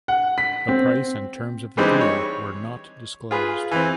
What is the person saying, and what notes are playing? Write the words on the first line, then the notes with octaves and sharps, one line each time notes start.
The price and terms of the deal were not disclosed.
F#5
B6
C4
E3 G3 G#3 C4 D4 D#4
C#5
F4 G#4 B4
E3 C4